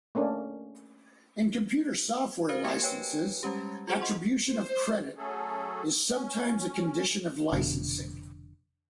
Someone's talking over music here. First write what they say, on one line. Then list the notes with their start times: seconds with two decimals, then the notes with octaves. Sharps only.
In computer software licenses, attribution of credit is sometimes a condition of licensing.
0.15 A3 A#3 C#4 D4
2.49 F#4 A#4 C5 F5
2.64 A#3 G4 G#6 C#7
2.82 B4 C#5 G5 G#5
3.43 G3 G#3 C#4 G4
3.87 F4 F#4 G#4 C5 F#5
4.01 D#5 F#5 C6 C#6
4.45 C5
5.18 F#3 A3 C#4 G#4 A4
6.12 C#4
7.53 F1 B2 D3